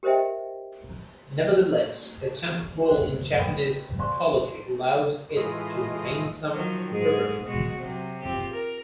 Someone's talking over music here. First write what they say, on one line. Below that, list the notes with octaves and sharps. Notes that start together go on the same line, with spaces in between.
Nevertheless, its central role in Japanese mythology allows it to retain some reverence.
G4 A#4 C5 D#5 E5 G5
F#4 G#4 C5
A#4 B4 G5 B5 D#6
C5 D5 F5 G#5 C6 C#6
A2 E3 G#3 F4 D#5
D#3 F3 F#3
G#2 G#3 G#4
B2 G#3 F#4
C3 F#3
C4 F4 G4
A#4